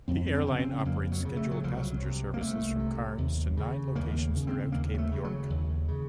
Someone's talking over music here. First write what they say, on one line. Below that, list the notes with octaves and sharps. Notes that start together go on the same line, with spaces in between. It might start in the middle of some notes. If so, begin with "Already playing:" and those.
The airline operates scheduled passenger services from Cairns to nine locations throughout Cape York.
F2 C4
C4
C#3
C4
F2 A#3
F#3
C#3
A3
F#3
C2 F3
F#3
C3
A#3
C2 A3
C3
D#2
C#3
D#2 A#3
C#3
C4
D#2 A#3
F#3
A3
C#3
F#3
D#2
C#3